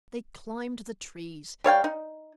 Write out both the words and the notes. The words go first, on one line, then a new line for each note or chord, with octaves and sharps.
They climbed the trees.
G3 C#5 F5 G5
D#4